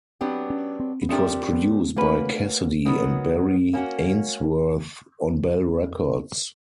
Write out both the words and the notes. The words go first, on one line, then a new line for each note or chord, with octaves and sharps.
It was produced by Cassidy and Barry Ainsworth on Bell Records.
F#3 B3 C4 D4 G4
C#4
C4
B3
F3 A3 C4 D4 G4 A#4
B3
A3 A#3 C#4 F#4 B4
D#3 F#3 B3
A#3 C#4 F#4